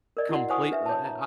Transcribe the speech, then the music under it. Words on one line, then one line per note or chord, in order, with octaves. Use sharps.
complete li l I
A#4 D5 D#5
E4 F#4 F#5
C5 F5 F#5 G#5 C#6 D#6
D4 B4 E5
C#5 A5
A#5